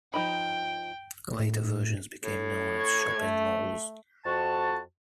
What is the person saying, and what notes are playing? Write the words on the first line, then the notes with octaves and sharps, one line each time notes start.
Later versions became known as shopping malls.
F3 D#4 G5 B5
A2
A2
C#6 G#6
A3
F2 F#4 A5